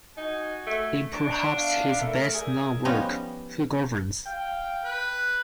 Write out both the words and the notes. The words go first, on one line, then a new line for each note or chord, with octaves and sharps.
In perhaps his best known work, Who Governs?
D#4 F#4 G#5
A3
D4 C#6
B3 E5 F5
A3 A#4 E5
G#4 A#4 D5 E5
F3 G3 B3 C#4 D#4
F5 G5
B4